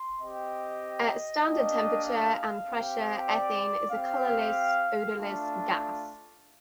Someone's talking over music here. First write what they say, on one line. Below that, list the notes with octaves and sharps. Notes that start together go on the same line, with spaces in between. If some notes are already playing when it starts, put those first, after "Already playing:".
At standard temperature and pressure, ethane is a colorless, odorless gas.
Already playing: C6
C4 G4 D#5
A#3 D4 G4 D#5
F5
C4 G4
D5
C4 G4 F5
A3 D4 F4